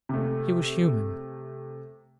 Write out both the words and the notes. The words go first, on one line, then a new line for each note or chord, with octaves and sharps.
He was human.
C3 A3